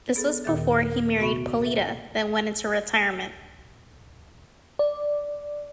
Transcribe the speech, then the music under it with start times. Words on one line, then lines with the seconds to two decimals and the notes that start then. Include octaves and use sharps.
This was before he married Polita then went into retirement.
0.16 B3 G#4 A4
0.44 D#2 A#2 D#3 G#4 E5 A6
0.81 A#4
1.18 C3 B3 F#4 E5 B5 C#6
1.62 A4 E5
4.79 D5